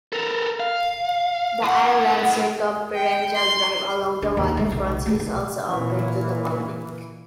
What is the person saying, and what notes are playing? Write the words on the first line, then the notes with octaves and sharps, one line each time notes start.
The island's circumferential drive along the waterfront is also open to the public.
A4 A#4
F5
A2 F#5
G5
C6
D4
D#2
G3 G#3
B1
A3 B3
B1
A#2 E3